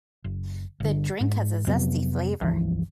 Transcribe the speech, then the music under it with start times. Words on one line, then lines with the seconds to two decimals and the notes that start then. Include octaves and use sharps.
The drink has a zesty flavour.
0.24 F#1
0.80 G1 D3
1.20 G#2
1.67 F2 C3 F#3 B3
2.41 G1 C#2 E3 F3